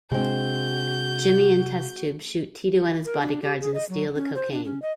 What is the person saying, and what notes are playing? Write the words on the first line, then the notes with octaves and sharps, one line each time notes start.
Jimmy and Test Tube shoot Tito and his bodyguards and steal the cocaine.
C3 G#3 C4 D4 F#4 G6
A#4
D4
G4
G#4
D#5
F#3
C#4
C5
D4
C#4
D#5